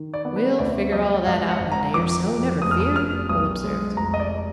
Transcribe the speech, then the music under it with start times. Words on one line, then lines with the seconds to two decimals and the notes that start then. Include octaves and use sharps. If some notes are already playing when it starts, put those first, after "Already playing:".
"We'll figure all that out in a day or so, never fear," Will observed.
Already playing: D#3
0.14 D5
0.25 B3
0.36 B4
0.59 D2 D5
0.92 F#3 D#5
1.26 G#1 F5
1.49 F#5
1.60 G#1
1.72 A#5
1.94 F2 D6
2.27 F2
2.62 F1 D#6
2.71 F6
2.80 D#6
2.96 F1 F6
3.29 B1 D#6
3.64 G#3
3.97 F1 A#5
4.14 D#5
4.20 D5